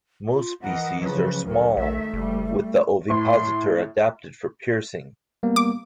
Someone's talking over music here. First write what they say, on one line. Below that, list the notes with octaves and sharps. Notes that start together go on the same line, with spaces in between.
Most species are small, with the ovipositor adapted for piercing.
F4
E3 A#4 D#5 F#5
C#3 F3 F#3 B4
D2 G2 A4 A#4
A#1 D#3 A3 E5
F#1 G3
A2 C6
G3 A#3 B3
D6